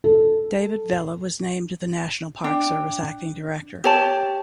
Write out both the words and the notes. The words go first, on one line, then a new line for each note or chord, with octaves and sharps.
David Vela was named the National Park Service acting director.
A4
D4 G5
G4 C#5 A5